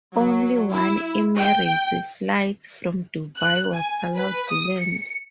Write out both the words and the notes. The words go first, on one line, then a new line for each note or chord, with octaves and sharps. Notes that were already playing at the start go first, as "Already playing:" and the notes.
Only one Emirates flight from Dubai was allowed to land.
F#3
E4
G5
F#6
G#5
B4
D#6
C#7